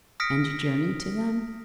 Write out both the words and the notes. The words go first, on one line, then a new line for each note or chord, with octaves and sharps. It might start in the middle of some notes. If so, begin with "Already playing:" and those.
"And you journeyed to them?"
D#6 F6 A#6 B6 C#7 D7